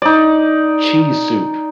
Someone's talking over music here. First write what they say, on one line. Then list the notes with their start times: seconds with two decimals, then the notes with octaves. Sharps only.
cheese soup."
0.02 D#4 D5